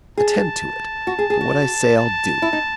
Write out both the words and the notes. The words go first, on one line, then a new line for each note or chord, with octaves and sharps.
Attend to it; for what I say I'll do.
G#4 A5
F#4
G#4
G#4
F#4
A5
E4
D#4